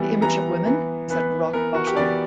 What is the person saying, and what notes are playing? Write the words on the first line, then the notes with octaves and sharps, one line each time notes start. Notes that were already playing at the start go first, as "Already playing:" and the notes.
The image of women is at rock bottom.
Already playing: E3 G3 B3
E3 G3 B3 A#5
E3 B3
E3 B3 B4
E3 B3 A#4
F#4
G4
E3 B3 D5